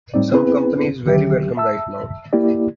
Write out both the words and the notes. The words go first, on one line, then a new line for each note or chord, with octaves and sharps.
Some company is very welcome right now.
A2 G3 C4 D#4 D5
B3 C4 E4 G#4 B4
C2 D3 D#3 F#3 G4 E5
E5 A5 E6
A#3 E4 G4 D5